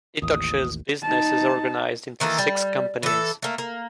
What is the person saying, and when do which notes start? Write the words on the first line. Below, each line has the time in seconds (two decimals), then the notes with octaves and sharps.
Itochu's business is organized into six companies.
0.22 A1 D#2 D#6
1.02 D#4 A5
2.20 D#3 E3 A#3 A4
2.38 G3
3.03 E3 A4
3.42 A3 A#3
3.58 A#3